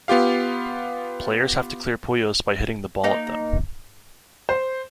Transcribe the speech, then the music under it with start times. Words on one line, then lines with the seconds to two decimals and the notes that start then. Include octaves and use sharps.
Players have to clear Puyos by hitting the ball at them.
0.08 B3 F4 G4 F5
3.04 A#3 D#4
4.49 C5